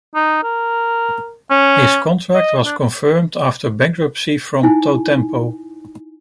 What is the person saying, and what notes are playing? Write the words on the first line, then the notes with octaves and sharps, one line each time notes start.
His contract was confirmed after bankruptcy from Totempo.
D#4
A#4
C#4
D#5
D4
D#4 E4 G#5